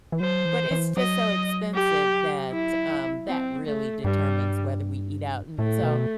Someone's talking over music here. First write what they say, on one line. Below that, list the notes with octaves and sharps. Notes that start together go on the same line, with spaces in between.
But it's just so expensive that, um that really determines whether we eat out. And so,
E3
F#3 C5
E3
E3
F#3 D#5
G4
E4
C4
A3
G2 G3
A2 A3
B2